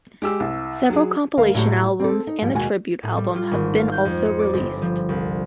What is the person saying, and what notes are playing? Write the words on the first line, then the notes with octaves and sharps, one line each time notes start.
Several compilation albums and a tribute album have been also released.
G#3 G4 E6
C2
F#3 G#4
D2 A#4 F5
A2 F#3 G4 C#5
C4 A4
D#4
G#2 F3 G3
D#2 B2 G#3 F#4 G#5
A2
G3
F4
G#1
F5
G6
F2
C#7
D5
G1
F3
C2